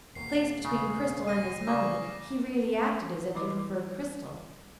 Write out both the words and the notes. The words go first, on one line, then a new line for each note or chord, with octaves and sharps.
Placed between Cristel and his money, he really acted as if he preferred Cristel.
E1 A#3 C7
C#3
A#6 D#7
C#3 D5 D6
E3 G3 G#3 E4 D6